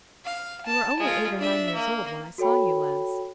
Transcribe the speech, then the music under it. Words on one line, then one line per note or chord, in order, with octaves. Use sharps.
"You were only eight or nine years old when I saw you last."
F5
A5
G#3 F4
D4 E5
A#3
F#4 A4 C#5 G5 B5